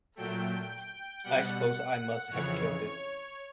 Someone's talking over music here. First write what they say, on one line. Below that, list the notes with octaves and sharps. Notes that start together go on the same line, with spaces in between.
I suppose I must have killed it.
A#2 F#3 A3 G5
B2 G3 F#5
F2 C#3 E3 C#5
C#5